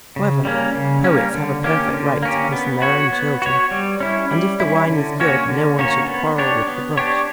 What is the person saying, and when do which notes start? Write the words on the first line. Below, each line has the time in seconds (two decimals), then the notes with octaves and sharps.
However, poets have a perfect right to christen their own children, and if the wine is good no one should quarrel with the bush.
0.16 C#3
0.45 G3 A#3 C#4
0.75 C#3
1.04 G3 A#3 C#4
1.34 D3
1.64 A#3 C#4 G4
1.94 D3
2.22 A#3 C#4 G4
2.52 B3
2.82 F#4 C#5
3.12 B3
3.42 F#4 C#5
3.71 G3
4.00 C#4 E4
4.31 G3
4.60 C#4 E4
4.89 D3
5.20 A#3 C#4 F#4 C#5
5.48 D3
5.79 A#3 C#4 F#4 C#5
6.08 B3
6.38 D4 G4 C#5
6.67 B3
6.98 D4 G4 C#5